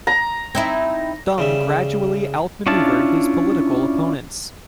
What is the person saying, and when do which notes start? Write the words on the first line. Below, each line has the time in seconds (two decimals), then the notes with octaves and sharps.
Deng gradually outmaneuvered his political opponents.
0.07 A#5
0.55 C4 D#4 E4
1.38 C#3 G3 E5
2.67 C#4 D4 E4 F4 A5